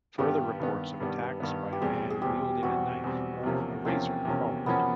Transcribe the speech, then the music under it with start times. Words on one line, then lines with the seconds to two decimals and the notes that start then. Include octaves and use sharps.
Further reports of attacks by a man wielding a knife or a razor followed.
0.18 G2 D#3 G3 B3 G4
0.59 G2 D#3 G3 B3
1.00 G2 D#3 G3 B3
1.40 G2 D#3 G3 B3
1.73 G4
1.81 E2 B2 G3 C4 G#4
2.10 G#4
2.22 E2 B2 G3 C4 G4
2.63 E2 B2 G3 C4 F#4
3.04 E2 B2 G3 C4
3.44 E2 C3 F3 A#3 C#4
3.85 E2 C3 F3 A#3 C4 C#4
4.25 E2 C3 F3 A#3 C#4
4.66 E2 C3 F3 A#3 B3 C#4